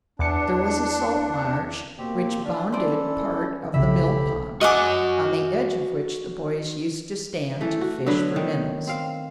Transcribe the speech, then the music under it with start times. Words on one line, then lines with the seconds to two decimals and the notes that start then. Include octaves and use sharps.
There was a salt marsh which bounded part of the mill-pond, on the edge of which the boys used to stand to fish for minnows.
0.19 E2 D4 D6 C#7
1.98 B2 A#3 C4 G4
2.45 D4 F4 D5
2.72 E3 C#4 E4 A4 C5 D5
3.74 B1 C#3 E3 E4 G4 A4 E5 B5
4.61 F#4 D#5 F#5 G#5 D6
7.61 E3 A3
7.81 F#4
8.06 D3 F#3 B3 F#4
8.36 D#3
8.87 C4 F5